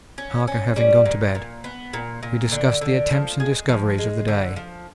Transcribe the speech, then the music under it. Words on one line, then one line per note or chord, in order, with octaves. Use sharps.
Harker having gone to bed--we discussed the attempts and discoveries of the day.
C#4
C#4
G3
A#2
A#2
B3
A#2
A#2
D3
D3
F3
G#3
F3
G#3
D3
F3